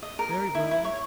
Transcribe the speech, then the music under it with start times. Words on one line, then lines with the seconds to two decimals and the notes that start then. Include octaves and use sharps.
"Very well."
0.02 D#5
0.19 A#4
0.55 E4
0.71 E4
0.84 C#5